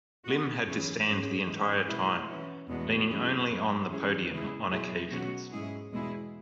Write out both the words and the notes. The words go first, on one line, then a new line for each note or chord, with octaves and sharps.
Lim had to stand the entire time, leaning only on the podium on occasions.
B2 B3 F#4
F#2 E3 C#4 G#4
G#2 G#3 C#4 G#4
G#2 E3 G#3 C#4
B2 G#3 E4 G#4
E3 C#4 F#4
E2 B2 G#3 B3 F#4
F#2 E3 C#4 E4 G#4
F#2 F#3 B3
E3 C#4 G#4
E2 C#3 G#3 E4 G#4
B2 F#3 E4 G#4
B2 F#3 C#4 F#4
G#2 G#3 C#4 E4 G#4
E2 B2 G#3 E4 G#4